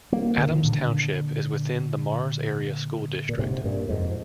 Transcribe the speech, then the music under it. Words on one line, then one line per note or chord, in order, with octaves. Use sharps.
Adams Township is within the Mars Area School District.
G3 A#3
D3
D#3
A#2 D3
A#2
G#2 C3
G2 A#2
F2 G#2